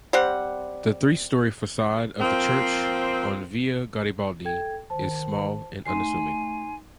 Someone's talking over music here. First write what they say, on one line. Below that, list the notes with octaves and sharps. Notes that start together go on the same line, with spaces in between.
The three story facade of the church on Via Garibaldi is small and unassuming.
G3 C4 F#5
F3 A#3 C4
A4 G5 G#6
D#3 C5 A5
A3 D#4 G#5 C6 C7